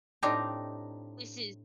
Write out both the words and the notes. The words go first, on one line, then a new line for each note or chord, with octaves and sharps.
this is
A2 C4 D4 D#4 G4 A#5